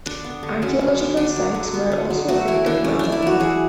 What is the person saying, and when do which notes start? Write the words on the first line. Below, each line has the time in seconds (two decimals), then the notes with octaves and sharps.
Archeological sites were also affected by the oil.
0.06 D3 D4
0.24 B3
0.43 D3
0.62 F#3 C#4
0.81 D3
0.99 B3
1.17 D3 D4
1.36 F#3
1.55 D3
1.74 B3
1.92 D3
2.10 F#3
2.28 A3 F#4
2.48 E3 E4
2.66 E3 D4
2.84 A3 C#4
2.99 A3 D4
3.12 E4
3.22 E3 F#4
3.40 E3 G#4